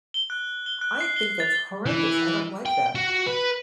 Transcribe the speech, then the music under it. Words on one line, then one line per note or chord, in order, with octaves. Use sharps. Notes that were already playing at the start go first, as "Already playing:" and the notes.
I think that's horrendous. I don't like that.
G7
F#6
G7
F#6
C7
G7
A6
E3
G5
F#4
B4